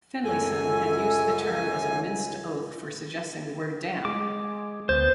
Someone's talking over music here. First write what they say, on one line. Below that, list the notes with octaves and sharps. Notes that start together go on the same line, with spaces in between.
Finlayson had used the term as a minced oath for suggesting the word damn!
C#2 F#2 A4 G#5
G#3 D6
D2 B3 C5 A6